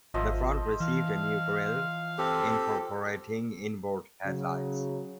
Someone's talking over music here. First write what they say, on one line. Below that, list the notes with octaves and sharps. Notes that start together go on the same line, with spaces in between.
The front received a new grille incorporating inboard headlights.
G#1 F3 D#5 E5
E3 F5
C4 G4 A4
C#3 F#3